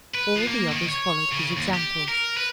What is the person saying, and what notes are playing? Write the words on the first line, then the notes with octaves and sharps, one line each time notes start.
All the others followed his example.
B4
F3
A#3
D#3
C#5
C#3
D#2
G4
A#4
B4